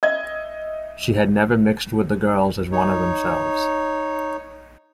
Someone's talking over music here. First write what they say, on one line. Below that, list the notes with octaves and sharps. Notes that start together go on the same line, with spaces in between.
She had never mixed with the girls as one of themselves.
D#5 E5 G#6
D#4 C#5